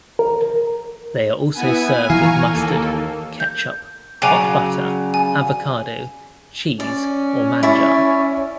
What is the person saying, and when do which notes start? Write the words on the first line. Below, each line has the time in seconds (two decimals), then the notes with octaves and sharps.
They are also served with mustard, ketchup, hot butter, avocado, cheese or manjar.
0.19 A#4
1.56 B3 E4 G#5
2.10 E3 F5 A#5 C#6
2.51 D#2 A#3 A4
3.40 G6
4.22 C#3 F#3 D5 G5 G#5 A#5
5.14 G#5
6.80 C#4 D5
7.63 E4 D5 C#6